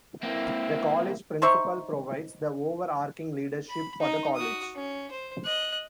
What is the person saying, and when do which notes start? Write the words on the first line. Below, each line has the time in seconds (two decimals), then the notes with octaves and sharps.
The College Principal provides the over-arching leadership for the College.
0.23 A#3 C4 E4
1.42 D#4 C5 E5 C#6
3.69 B5
4.00 D#4 D#5
4.35 F#4 D#6
4.75 C#4
5.11 C5
5.44 D#5 F#6